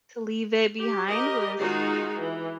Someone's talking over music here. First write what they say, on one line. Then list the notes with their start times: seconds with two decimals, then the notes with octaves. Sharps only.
to leave it behind was
0.81 G4
1.10 G4 A#4 D#5
1.59 D#3 G#3 D#4 F4 F#4 G#4
2.19 E3